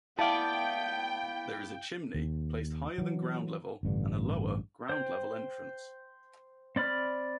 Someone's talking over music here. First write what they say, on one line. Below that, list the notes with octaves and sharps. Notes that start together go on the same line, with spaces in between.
There is a "chimney" placed higher than ground-level and a lower, ground-level, entrance.
B3 E4 D5 F5 G5 A5
D#2
E3 F#3
A1 G2 D3
C5 G5
C4 D5 B5 F6